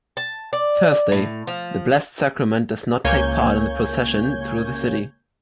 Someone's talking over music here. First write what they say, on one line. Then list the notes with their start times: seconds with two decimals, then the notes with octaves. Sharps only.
Thursday, the Blessed Sacrament does not take part in the procession through the city.
0.17 A5
0.53 D5
1.12 A2
1.47 F3
3.04 C#2 A#3 C#5 G#5 G6 G#6